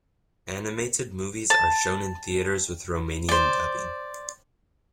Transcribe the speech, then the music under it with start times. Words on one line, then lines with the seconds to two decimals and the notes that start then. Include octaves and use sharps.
Animated movies are shown in theaters with Romanian dubbing.
1.50 A5
3.29 C5 D5